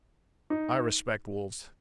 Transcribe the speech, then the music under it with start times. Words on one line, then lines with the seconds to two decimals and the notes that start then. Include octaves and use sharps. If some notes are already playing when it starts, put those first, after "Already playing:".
I respect wolves.
0.50 D#4